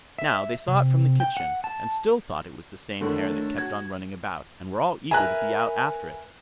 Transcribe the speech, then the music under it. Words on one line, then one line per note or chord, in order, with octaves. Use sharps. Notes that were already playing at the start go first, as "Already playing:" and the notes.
Now, they saw it from the kitchen, and still thought it was the same hare that kept on running about, and were all eager to be out after it.
E5
C3
G5
F#5
A5
A2 D3 D#3 F#3 A3 D4
F#4 G#6
A#4 B4 E5 G#5 A#5 F#6